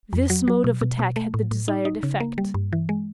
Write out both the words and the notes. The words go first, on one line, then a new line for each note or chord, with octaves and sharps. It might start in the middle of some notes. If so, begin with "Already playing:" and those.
This mode of attack had the desired effect.
F2
F#3
F#3
B2
B2
B2
A3
A2
A2
D#4
D#4
C#3
A#3
G3
G2
E3
G#3